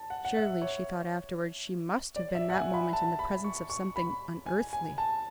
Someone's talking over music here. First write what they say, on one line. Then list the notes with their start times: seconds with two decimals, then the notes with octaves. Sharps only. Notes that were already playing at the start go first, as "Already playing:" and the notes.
Surely, she thought afterwards, she must have been that moment in the presence of something unearthly!
Already playing: A5
0.10 F#5
0.25 F#5
0.37 E5
0.62 C#5
2.16 D5
2.35 E5
2.50 F#5
2.54 G#5
2.73 B5
2.93 A5
3.19 B5
3.44 C#6
3.70 C#6
3.96 B5
4.46 G#5
4.73 G#5
4.98 A5